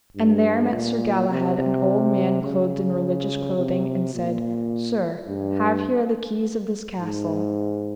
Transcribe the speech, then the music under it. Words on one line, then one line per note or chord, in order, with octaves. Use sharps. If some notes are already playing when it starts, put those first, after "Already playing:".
And there met Sir Galahad an old man clothed in religious clothing, and said: Sir, have here the keys of this castle.
G2
A#2
C3
C3
C#3
C3
A#2
G2
G#2